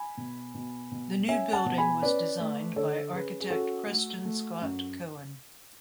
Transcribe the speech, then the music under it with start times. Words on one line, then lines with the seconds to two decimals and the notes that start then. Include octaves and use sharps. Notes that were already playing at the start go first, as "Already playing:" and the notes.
The new building was designed by architect Preston Scott Cohen.
Already playing: G#5 B5
0.17 B2
0.54 B2
0.91 B2
1.28 C#4 E5 G#5
1.53 F#5 A5
1.65 B2
1.78 G#5 B5
2.02 C#4 B4 D5
2.39 A3
2.76 D3 A4 C#5
3.13 C#4 G#4 B4
3.40 G#4
3.50 C#4 F#4 A4
3.87 A3
4.24 A3
4.61 F#2